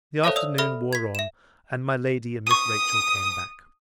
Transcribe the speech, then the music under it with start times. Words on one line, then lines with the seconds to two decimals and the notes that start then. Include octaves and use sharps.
The afternoon wore on, and my lady and Miss Rachel came back.
0.24 A4 C5 C#5 E5 F5 A5
0.36 D5 D#6 E6 F7
0.58 A4 E5 B5 D#6 F6 G7
0.93 G#6 B6
1.15 E5 E7
2.47 C#6 D#6 D#7